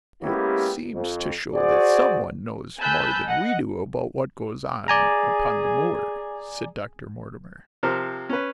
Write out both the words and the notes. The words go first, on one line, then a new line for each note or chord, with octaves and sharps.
"It seems to show that someone knows more than we do about what goes on upon the moor," said Dr. Mortimer.
G#3 A#3 B3 C#4 E4 G4
F2
F#4 G#4 C5 D5
G#5 A5 B5 E6 F#6 G6
D#5 F#5
G#4 D5 G#5 A#5
C3 F3 A#4 C5
C#4 B4